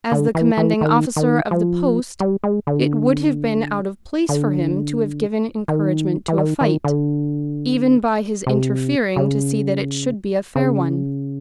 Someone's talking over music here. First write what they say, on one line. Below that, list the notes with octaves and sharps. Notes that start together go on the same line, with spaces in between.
As the commanding officer of the post, it would have been out of place for him to have given encouragement to a fight--even by his interfering to see that it should be a fair one.
D3
E3
E3
D#3
D#3
F3
G3
G#3
D3
D3
D#3
E3
D#3
D#3
D3
C3
C#3
C#3